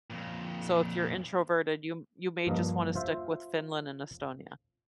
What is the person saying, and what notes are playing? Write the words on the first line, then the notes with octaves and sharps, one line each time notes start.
so if you're introverted you m you may just wanna stick with Finland and Estonia.
F2 A#2
G2 F3 A#3 D#5
F4 C5 E5